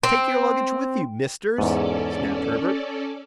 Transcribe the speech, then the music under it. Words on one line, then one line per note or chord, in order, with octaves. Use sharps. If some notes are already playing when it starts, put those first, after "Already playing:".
"Take your luggage with you, Misters!" snapped Herbert.
C4
E2 G#2 C#4 A4 D5